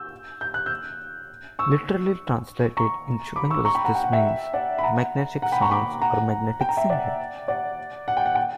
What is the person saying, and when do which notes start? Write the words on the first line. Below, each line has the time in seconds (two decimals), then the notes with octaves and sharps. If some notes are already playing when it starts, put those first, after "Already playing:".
Literally translated into English this means "Magnetic Songs" or "Magnetic Singing".
Already playing: E6 G6
0.41 G6
0.54 F#6
0.66 E6 G6
1.59 C#6 E6
2.77 A#5 C#6
3.36 B5 D6
3.50 C#6 E6
3.65 A#5 C#6
3.75 G5 B5
3.84 F#5 A#5
3.95 G5
4.04 F#5
4.13 E5 G5
4.53 D5 F#5
4.78 B5
4.84 F#5 A#5
5.42 F#5 A#5
5.52 G5 B5
5.61 A#5 C#6
5.71 B5 D6
6.02 F#5 A#5
6.61 G5
6.69 A#5
6.77 E5 G5
6.90 D5 F#5
7.48 D5 F#5
8.08 F#5
8.17 G5
8.26 F#5
8.35 G5